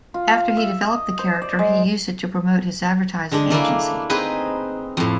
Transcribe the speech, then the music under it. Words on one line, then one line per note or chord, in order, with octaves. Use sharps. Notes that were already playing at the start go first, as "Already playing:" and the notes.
After he developed the character, he used it to promote his advertising agency.
F4
F5
E5
D#5
C5
D5
G#3
D3 G#3 D4
A3 A#3 D4 E4
C4 D#4 G#4 B4
F2 A2